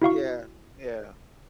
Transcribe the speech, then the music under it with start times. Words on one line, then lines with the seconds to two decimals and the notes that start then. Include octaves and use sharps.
Yeah. Yeah.
0.02 E4 F#4 F5 C#6